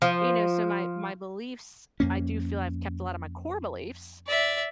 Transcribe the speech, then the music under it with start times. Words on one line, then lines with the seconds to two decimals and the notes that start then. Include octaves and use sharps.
you know, so, my my beliefs, I do feel I've kept a lot of my core beliefs,
0.02 F3
2.00 F2 A#3 C#4
4.27 D5 E5